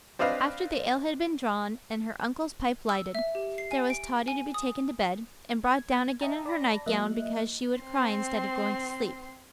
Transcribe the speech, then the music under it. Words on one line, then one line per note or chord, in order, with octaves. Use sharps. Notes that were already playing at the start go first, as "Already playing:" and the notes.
After the ale had been drawn and her uncle's pipe lighted, there was Totty to be taken to bed, and brought down again in her night-gown because she would cry instead of going to sleep.
C4 D4 B4 D#5 F5
E6
E5
G4
C7
G#5
D7
G#5
D#6
G#6
D#5 E5 G5 A5 A#5
D5 A5 B5 A#6
F#3 A#3 D#5 E5 F#6
C4 C6